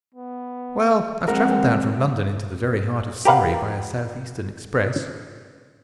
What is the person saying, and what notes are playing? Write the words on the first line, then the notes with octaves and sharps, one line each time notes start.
"Well, I've travelled down from London into the very heart of Surrey by a South Eastern express."
B3
F3 G#3 C4 A#4 F#5
G4 A#4 B4 F5 F#5